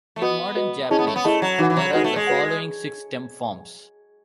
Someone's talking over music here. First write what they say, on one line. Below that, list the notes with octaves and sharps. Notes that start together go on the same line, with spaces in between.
In modern Japanese there are the following six stem forms.
A3
B3 F#4 B4 D#5
F#4 B4 D#5
C#4 E4 G#4 D#5 A5
B3
A3
B3
A3 E4 G#4 D#5 A5
F#3
E3 D#4 F#4 B4 F#5
E3
F#3
G#3 D#4 F#4 B4 F#5
A3
G#3
F#4 B4 F#5